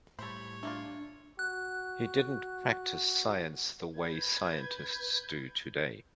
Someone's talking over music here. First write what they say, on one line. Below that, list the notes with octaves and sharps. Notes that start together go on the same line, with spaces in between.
He didn't practice science the way scientists do today.
A2 G3 A4 C5 C#5 B5
A3 A#3 D4 F4
F#4 F#6
B4 G6 G#6